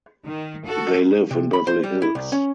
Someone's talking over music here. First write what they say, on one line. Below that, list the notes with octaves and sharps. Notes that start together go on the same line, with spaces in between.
They live in Beverly Hills.
D#3
F#4 A4
C3
B5
C5
G3
E4
C2
C#4